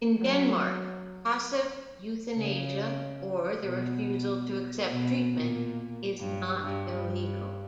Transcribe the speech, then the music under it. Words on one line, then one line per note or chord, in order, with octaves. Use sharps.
In Denmark, passive euthanasia, or the refusal to accept treatment is not illegal.
F#3
C#3
B2
B2
A#2
G2
G2
G2